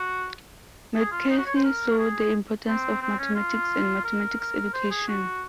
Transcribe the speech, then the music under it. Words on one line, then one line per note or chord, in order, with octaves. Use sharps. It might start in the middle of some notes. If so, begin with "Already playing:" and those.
McCarthy saw the importance of mathematics and mathematics education.
Already playing: F#4
G#4
F4
D#4
F#4
C#5
C5
A#4
G#4
C4
C4
C#4
F4
A#4
A#4
C5
G#4
F#4